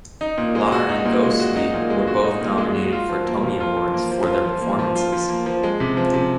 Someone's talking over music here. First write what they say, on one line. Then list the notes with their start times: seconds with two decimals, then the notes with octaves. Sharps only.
Lahr and Ghostley were both nominated for Tony Awards for their performances.
0.21 D#4
0.38 A#2
0.55 G#3
0.72 F#4
0.89 D#4
1.05 A#2
1.23 G#3
1.40 F#4
1.56 D#4
1.74 A#2
1.90 G#3
2.07 F#4
2.24 D#4
2.41 A#2
2.58 G#3
2.75 F#4
2.92 F4
3.09 F3
3.26 A#3
3.43 F3
3.60 F4
3.76 F3
3.94 A#3
4.11 F3
4.28 F4
4.45 F3
4.61 A#3
4.79 F3
4.95 F4
5.12 F3
5.29 A#3
5.46 F3
5.63 G#3
5.80 C3
5.97 F3
6.14 C3